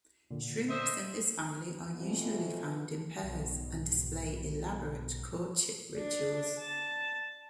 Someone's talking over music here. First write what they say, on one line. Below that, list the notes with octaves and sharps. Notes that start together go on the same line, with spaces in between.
Shrimps in this family are usually found in pairs and display elaborate courtship rituals.
A#2 D3
C5 D#5 E5
F2 B2 E3
B1 G#2 B2
D4
A5